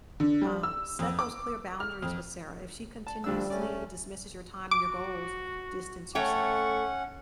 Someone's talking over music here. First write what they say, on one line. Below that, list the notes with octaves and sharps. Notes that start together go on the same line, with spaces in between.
Um, set those clear boundaries with Sarah. If she continuously dismisses your time and your goals, distance yourself.
D3
G3
E6
F2
D6
F6
F2
A5
D2 F3 G3 D4 E6
A3 C#4 D5
F#4 D6
A3 C#4 C#5 F#5 G5 C#6